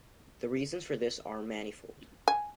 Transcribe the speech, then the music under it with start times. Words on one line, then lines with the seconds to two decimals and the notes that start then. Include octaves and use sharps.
The reasons for this are manifold.
2.28 G#5